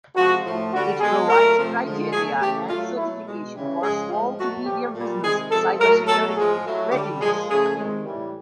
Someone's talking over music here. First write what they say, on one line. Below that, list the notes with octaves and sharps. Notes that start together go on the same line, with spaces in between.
It provides criteria and certification for small-to-medium business cybersecurity readiness.
C3 F3 G#3 F#4
A2 F3 A3
D3 G3 F#4
B2 G#3 G#4
A#2 F#3 A3 A#4
C3 F3 A3
D3 F3 G#3
B2 F#3 A3 G#4
C#3 E3 A3 G4
A#2 F#3 A3 F4
B2 F#3 A3 E4
B2 G#3
C#3 E3 G3
C#3 F3 G#3 G#4
A2 F3 G#3 F4
B2 F#3 A3 F#4
A#2 F3 A3 G4
A#2 G3
C3 D#3 G#3 G#4
C3 F3 G#3 A4
A2 F#3 A3 A#4
B2 F#3 A3 A4
A2 F3 G#3 G#4
A2 F#3 A3
D3 G3 G4
A#2 F3 G#3 G#4
C#3 F3 A3 G#4
C3 D#3 G#3
A2 E3 G3